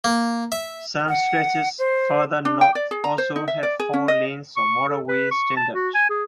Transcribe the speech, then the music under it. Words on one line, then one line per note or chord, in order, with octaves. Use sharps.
Some stretches further north also have four lanes or motorway standard.
A#3
E5
F#5
C5
D4
G5
D5
G#4
A#5
C5
D#4
E5
D5
G#4
C#4
D#5
C#6
A4
B4
C#6
A5
F#4
G#5
G#4